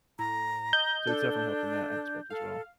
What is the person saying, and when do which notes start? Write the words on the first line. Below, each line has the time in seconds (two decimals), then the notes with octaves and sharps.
So it's definitely helped in that aspect as well.
0.19 A2 A#5
0.73 D#5 G6
1.07 D4 A4
2.30 A4 F5